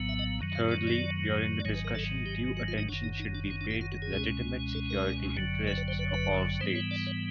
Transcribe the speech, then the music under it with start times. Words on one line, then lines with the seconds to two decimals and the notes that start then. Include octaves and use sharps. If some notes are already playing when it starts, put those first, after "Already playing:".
Thirdly, during the discussion due attention should be paid to the legitimate security interests of all states.
Already playing: A#1 A2 F#3 B3
0.09 E5
0.19 D#5
0.41 F#2 D#3 F#3
0.55 F5
0.71 D5
0.87 D5
1.60 D5
1.65 G#1 G#2 D#3 F#3 C#5
1.75 B4
1.85 A#4
1.95 A4
2.26 G4
2.57 F#4
2.68 F4
2.78 D#4
2.89 F#1 F#2 D#3 D4
3.04 D#4
3.20 D#4
3.35 D4
3.51 C#4
3.61 D4
3.71 E4
3.81 F4
3.92 F#4
4.02 G#4
4.12 C#2 B2 G#3 C#4
4.75 A4
4.90 A#4
5.37 G1 F#2 D3 F#3
5.68 B4
5.78 B4
5.88 C5
5.99 B4
6.14 B4
6.61 G#2 E3 G3 B3 C5
6.76 C#5
6.91 D5
7.07 C#5